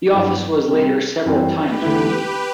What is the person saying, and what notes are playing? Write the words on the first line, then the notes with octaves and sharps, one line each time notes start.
The office was later several times renamed.
G2 F#3 B3 E4
C3 G3 C4
F#2 E3 G3 C4
G4 B4
E2 D3 A3 E4